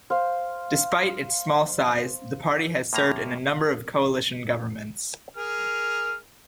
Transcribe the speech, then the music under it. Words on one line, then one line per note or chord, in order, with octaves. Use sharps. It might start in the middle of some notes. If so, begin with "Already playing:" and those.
Despite its small size, the party has served in a number of coalition governments.
C5 F5
A2 A#3 A#5
G#4 A#4 F6